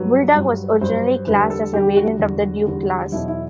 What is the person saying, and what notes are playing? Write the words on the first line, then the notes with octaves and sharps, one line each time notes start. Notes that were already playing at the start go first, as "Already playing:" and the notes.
"Bulldog" was originally classed as a variant of the Duke Class.
Already playing: G2 F#3 B4
G2 F#3
G2 F#3 C5
E2 D3 G3 B4
A4
E2 D3 G3 G4
F#4
E2 D3 G3
E2 D3 G3
E2 B2 F#3 E4
E4